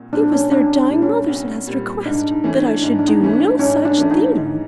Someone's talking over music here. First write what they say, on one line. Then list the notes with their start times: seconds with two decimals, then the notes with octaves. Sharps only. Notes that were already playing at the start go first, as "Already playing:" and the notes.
"It was their dying mother's last request that I should do no such thing."
Already playing: C2 A#2
0.12 A#2 G3 C4 D4
0.32 C#4
0.51 C2 D4
0.77 D4
0.89 A#2 G3 C4
1.02 C#4
1.28 C2
1.66 A#2 G3 C4
2.05 G#2 D4
2.31 D#4
2.44 E3 A3 C#4 E4
2.56 D4
2.82 G#2 D4
2.99 D4
3.08 D#4
3.20 E3 A3 C#4 E4
3.34 D4
3.59 G#2 C#4
3.85 D4
3.98 E3 A3 C#4 E4
4.11 D#4
4.37 G#2